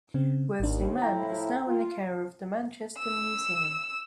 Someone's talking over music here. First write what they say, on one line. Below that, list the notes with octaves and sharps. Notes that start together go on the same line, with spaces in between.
Worsley Man is now in the care of the Manchester Museum.
C#3 C4
G#1 D#2 D4
A2 F3 E4 G5 A#5
F4
E6